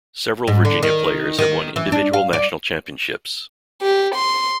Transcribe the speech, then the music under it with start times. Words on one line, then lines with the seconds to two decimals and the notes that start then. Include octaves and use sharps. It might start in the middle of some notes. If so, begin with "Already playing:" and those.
Several Virginia players have won individual national championships.
0.47 G#2
0.65 D3
0.83 D#3
1.38 D#3
1.76 E3
1.92 D4
2.13 F5
2.33 D5
3.82 G4
4.14 C6